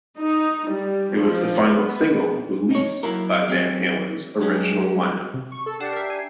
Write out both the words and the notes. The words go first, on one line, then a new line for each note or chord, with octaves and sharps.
It was the final single released by Van Halen's original lineup.
D#4
G3
F3
B3
D#4 C#5
F#3 A#3 E4 A#4
F#3 C4 C#4
G2 F#3 G#3 C#4
C3
C#6
A4
D4 G4 F#5 A5 C7
A#4 E5
G#5